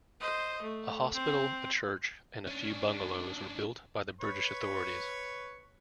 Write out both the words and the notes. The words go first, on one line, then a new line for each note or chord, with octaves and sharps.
A hospital, a church, and a few bungalows were built by the British authorities.
C5 D#5
A3
C4
C#4 D4
B4 C#5 C#6